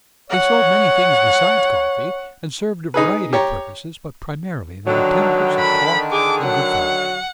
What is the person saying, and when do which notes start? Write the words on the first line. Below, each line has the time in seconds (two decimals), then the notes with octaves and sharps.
They sold many things besides coffee, and served a variety of purposes, but primarily they were temples of talk and good-fellowship.
0.30 C#5 F#5
2.94 D#4 G#4 B4
3.33 G4 C#5 A#5
4.86 D3 D#3 F#3
5.60 B5
6.12 G#4 D6
6.44 F#3 F#5